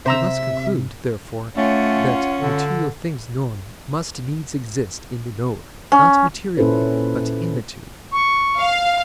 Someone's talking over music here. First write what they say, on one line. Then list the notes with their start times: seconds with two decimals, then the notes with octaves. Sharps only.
We must conclude, therefore, that material things known must needs exist in the knower, not materially, but immaterially.
0.06 C3 C5 E5 A#5 E6
1.56 A3 C#4 F4 F#5
2.41 D3
5.92 C#4
6.57 A#2 C#4 E4 A4 B4 C5
8.12 C#6
8.58 F5